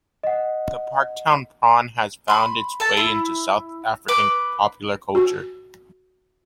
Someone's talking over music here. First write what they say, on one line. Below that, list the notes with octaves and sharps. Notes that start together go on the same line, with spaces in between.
The Parktown prawn has found its way into South African popular culture.
D#5 F#5
B5 C6
A4 A5
E4
B4 D6
F#4